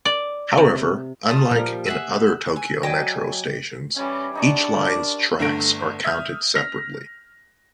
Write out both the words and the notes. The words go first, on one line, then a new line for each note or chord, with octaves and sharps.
However, unlike in other Tokyo Metro stations, each line's tracks are counted separately.
D5
C3
E3 F4 A5 D#6
A#2 F3 G3 A#3
G#4 E5 F#5 E6 F#6
G#5
F#3 D5 D#5 G5 G#5 A#6
E3 G3 C#4 G#5
D4 D#4 D#5 C#6
A#4 D6
G1 D3 A3 A#6 D7
E5 D#6 F6 G6
F6 A#6 B6 F7